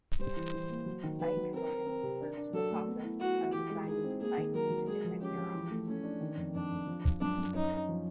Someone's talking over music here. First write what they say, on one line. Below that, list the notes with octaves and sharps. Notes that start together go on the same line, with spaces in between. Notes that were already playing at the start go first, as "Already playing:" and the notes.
Spike sorting refers to the process of assigning spikes to different neurons.
G3 C5
E3
E3
A#3
F#3
D#3
D#3 B4
F#3
C4 A#4
C4
C4
C3
D4
D4
F#3 A4
A3
B3
E4
E4 F#4
E4
E3 G4
G#3
D#4 G#4
C4
A#3 G#4
D#3
F#3 A#4
F#3
G#3 G#4
F3
C#4 G4
F3
E3
A3
A3 C#4
D4
D#3
F2
F2 D4
F2
F3
F3
F#2 D4
F#2
C#4 D#4
C#4
F3